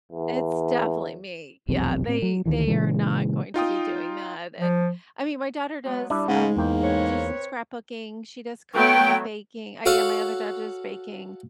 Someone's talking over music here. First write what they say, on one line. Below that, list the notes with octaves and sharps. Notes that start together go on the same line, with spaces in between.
It's definitely me. Yeah, they they are not going to be doing that, and I mean, my daughter does, um, d do some scrapbooking; she does cooking and baking. Uh, yeah, my other daughter does baking.
E2
F1 B1 E2 C3
A2 C4
F#3
D2 D#3 E3
A#2 C#3 E3 G#3
D#4 F4 G5 D#6
F3
F#3 G#3 B3
G3 D4 E4
G#2 C#3 G#3 F#5
E2 A#3 G5
C4 B4 C#5
F#3 A3 B3 G5
F#4 A4 C#5 F5 F#5